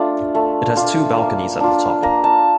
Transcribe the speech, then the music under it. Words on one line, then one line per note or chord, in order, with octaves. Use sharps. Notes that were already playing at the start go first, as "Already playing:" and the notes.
It has two balconies at the top.
Already playing: A3 D4 F4
A3
D4 F4
A#3
D4 F4
A#3 A#5
A5